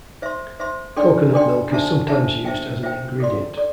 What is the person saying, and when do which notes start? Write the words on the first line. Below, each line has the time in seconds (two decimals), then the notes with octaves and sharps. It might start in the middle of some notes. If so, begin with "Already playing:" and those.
Coconut milk is sometimes used as an ingredient.
0.22 C5 E5 C6
0.60 C5 E5 C6
0.96 D4 A4 D5 G5 C6
1.34 D4 A4 D5 G5 C6
1.71 D4 A4 C5 E5 A5
2.08 D4 A4 C5 E5 A5
2.45 C5 E5 G5
2.83 C5 E5 G5
3.20 A4 D5 C6
3.58 A4 D5